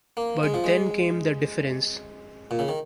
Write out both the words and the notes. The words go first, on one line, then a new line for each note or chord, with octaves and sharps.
But then came the difference.
A#3
G#3
F3
G#3
A#2
C#3
D#3